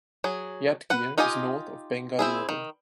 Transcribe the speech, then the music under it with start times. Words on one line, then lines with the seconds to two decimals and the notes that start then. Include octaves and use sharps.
Yadgir is north of Bengaluru.
0.24 F#3 G#4
0.90 B4 F#5
1.18 D#4 F4 G4 D#5 G#5
2.19 C4 E4 G#4
2.49 D#3